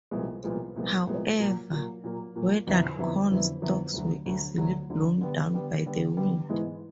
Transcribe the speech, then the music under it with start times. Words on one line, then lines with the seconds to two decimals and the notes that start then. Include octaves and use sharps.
However, withered corn stalks were easily blown down by the wind.
0.11 C2 A#2 F3 G#3 B3
0.44 C2 A#2 F3 G#3 B3
0.76 C2 A#2 F3 G#3 B3
1.07 C2 A#2 F3 G#3 B3
1.39 A#2 F#3 A#3
1.72 A#2 F#3 A#3
2.04 A#2 F#3 A#3
2.35 A#2 F#3 A#3
2.67 F2 D3 F#3 B3 E4
2.98 F2 D3 F#3 B3 E4
3.31 F2 D3 F#3 B3 E4
3.62 F2 D3 F#3 B3 E4
3.94 D2 D3 F#3
4.26 D2 D3 F#3
4.57 D2 D3 F#3
4.90 D2 D3 F#3
5.21 D3 G3 B3
5.54 D3 G3 B3
5.86 D3 G3 B3
6.17 D3 G3 B3
6.49 G#2 E3 G#3 B3